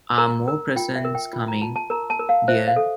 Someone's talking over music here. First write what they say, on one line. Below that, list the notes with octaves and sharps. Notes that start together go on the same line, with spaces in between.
Are more presents coming, dear?
A#4 A#5
A#4
F4 G5
E5
A#4
G5
F4
A#5
F4 A5
A5
A#4 A#5
A5
A#4
F5
C5 E5
F5
A4